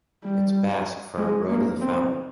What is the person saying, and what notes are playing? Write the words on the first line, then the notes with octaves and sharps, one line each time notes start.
It is Basque for "Road of the fountain".
G3
G#3
A#3
C4